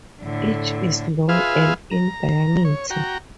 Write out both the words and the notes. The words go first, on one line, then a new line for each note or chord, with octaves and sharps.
Each is long and in diameter.
A2 D3
F4 G#4 B4 E5 F5
A#5
C#5
F#4 G5 A#5